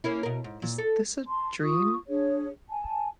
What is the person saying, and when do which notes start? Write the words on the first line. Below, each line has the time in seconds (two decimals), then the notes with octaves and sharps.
Is this a dream?
0.04 A#3 C#4 E4
0.23 B2 A#4
0.44 G#2
0.62 A#2
0.78 A4
1.27 A5 C6
1.62 F4 C#6 D#6
2.08 D4 G#4 C#5
2.69 G#5 A5